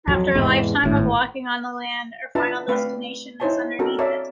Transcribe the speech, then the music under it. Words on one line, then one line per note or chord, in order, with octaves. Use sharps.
After a lifetime of walking on the land, our final destination is underneath it.
F2 F#3
E2 G#2 C3
G#1 A2
D4 F4 B4 E5 A5 A#5
A3 C4 B4 D5 F5 G5
D#4 E4 C5 C#5 G#5 A5
C4 D4 F#4 A4 A#4
A#4 C#5 D5 E5 F5 A5